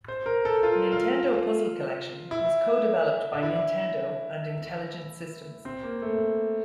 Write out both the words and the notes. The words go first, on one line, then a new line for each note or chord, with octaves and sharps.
"Nintendo Puzzle Collection" was co-developed by Nintendo and Intelligent Systems.
C5
A#4
A4
F4
F4
E4
D4
E4
C4
A#3
A3